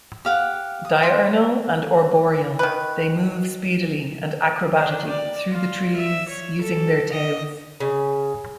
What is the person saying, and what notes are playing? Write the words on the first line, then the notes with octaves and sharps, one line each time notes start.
Diurnal and arboreal, they move speedily and acrobatically through the trees using their tails.
G4 F5 F#5
D#6
C6
D#3 B4
D4
D5
F4
E5
C#5
A4
D#5
C#3